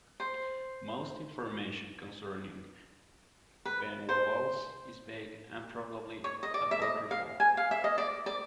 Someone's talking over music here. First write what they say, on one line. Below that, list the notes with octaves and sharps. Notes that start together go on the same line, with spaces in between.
Most information concerning Ben Wa balls is vague and probably apocryphal.
C5
B4
C5
C#5
D#5
D5
E5
D#5
F5
G#5
F5
E5
D#5
D5
D5